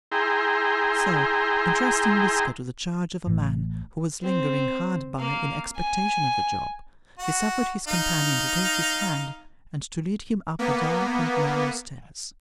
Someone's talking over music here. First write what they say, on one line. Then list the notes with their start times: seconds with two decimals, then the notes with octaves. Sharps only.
So, entrusting Whisker to the charge of a man who was lingering hard by in expectation of the Job, he suffered his companion to take his hand, and to lead him up the dark and narrow stairs.
0.12 E4 G#4 G5 A#5 C6
3.27 A1
4.23 C4
5.19 A#3 F5
5.76 G#5
7.19 F#4
7.88 D#4 F5
10.59 A#3 B3